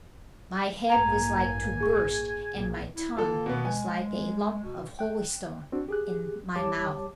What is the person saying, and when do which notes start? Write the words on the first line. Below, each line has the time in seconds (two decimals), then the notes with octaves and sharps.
My head was like to burst, and my tongue was like a lump of holystone in my mouth.
0.90 A1 G2 A#3 G#5 A#5 F7
1.80 G#4 C#6
2.54 B1 A#2
2.95 E4
3.17 D#3 E3 A#3 F4 A4
3.46 B2 B3
3.65 G#3 G#5
4.63 B2
4.99 G5 F#6
5.72 C4 D4 F#4
5.88 G4 G#4 F#6
6.55 E2 G3 G4 C#5 A5 D6